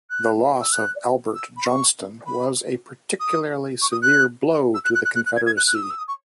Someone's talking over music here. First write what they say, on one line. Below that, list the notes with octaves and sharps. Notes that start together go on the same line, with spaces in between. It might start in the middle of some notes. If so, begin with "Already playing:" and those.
The loss of Albert Johnston was a particularly severe blow to the Confederacy.
F#6
E6
F#6
E6
B5
C#6
B5
D#6
C#6
D#6
F#6
E6
F#6
F#6
F#6
F#6
F#6
G#6
G#6
F#6
F#6
E6
D#6
E6
D#6
C#6